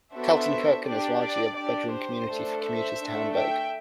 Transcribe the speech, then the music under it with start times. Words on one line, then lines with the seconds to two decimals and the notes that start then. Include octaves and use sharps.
Kaltenkirchen is largely a bedroom community for commuters to Hamburg.
0.14 B3 D4 F#4 A4 C5 E5
0.85 D4 G4 D5
1.20 D5
1.56 D4 G4 D5
1.92 C5
2.27 A3 D4 A4
2.62 C5 E5
2.97 A3 D4 A4
3.32 E5 G5